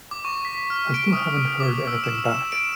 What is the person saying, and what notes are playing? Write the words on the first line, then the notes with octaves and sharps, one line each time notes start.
I still haven't heard anything back.
D6
C#6
B6
F6
D7
D#6
D6
E6
E7
E7
D7